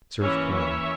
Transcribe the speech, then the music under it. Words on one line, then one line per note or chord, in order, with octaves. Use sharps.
Serve cold.
E3 A#3 C#4 C#5 E5
C#5 E5